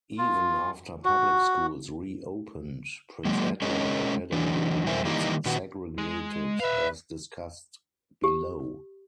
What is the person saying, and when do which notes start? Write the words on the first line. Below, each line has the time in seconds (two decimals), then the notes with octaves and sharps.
Even after public schools re-opened, Prince Edward Academy remained segregated as discussed below.
0.18 F4
1.05 F#4
3.25 F#3 G#3 A#3
3.62 G#3 C#4 G#4 A#4 C#5 D#5
4.32 E3 F#3 D4
4.86 B2 G3 A#4 C5 E5 G#5
5.05 D#3 E3 G3 A#3 D#4 A#4
5.45 A#2 D#3 F#4 B4 F#5
5.98 G#3
6.59 B4 E5 F5
8.24 G4